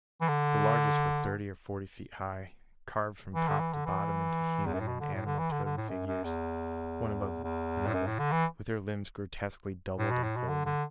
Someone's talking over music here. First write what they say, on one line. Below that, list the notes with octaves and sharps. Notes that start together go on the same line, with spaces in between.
The largest were thirty or forty feet high, carved from top to bottom into human and animal totem figures, one above another, with their limbs grotesquely doubled and folded.
E3
D3
E3
D3
E3
D3
E3
E2
F#2
A2
B2
D3
A2
D3
E3
D3
D3
A2
F#2
F#2
E2
E2
A2
F#2
A2
D3
E3
A2
B2
A2
B2
D3
D3